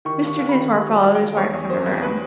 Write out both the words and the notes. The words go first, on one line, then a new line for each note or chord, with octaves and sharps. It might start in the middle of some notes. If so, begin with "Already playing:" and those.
Mr. Dinsmore followed his wife from the room.
D#3 C#6
D#2 C#6
D#2
B5
D#3
D#2
F#3
A5
F#3
G5
D#2
E2 C#5
E2
F#3 C5
E2
B4